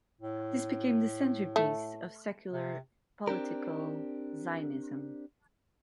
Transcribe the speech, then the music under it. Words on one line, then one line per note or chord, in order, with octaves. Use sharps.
This became the centerpiece of secular political Zionism.
A2
A3
C3
C4 D4 G4 A#4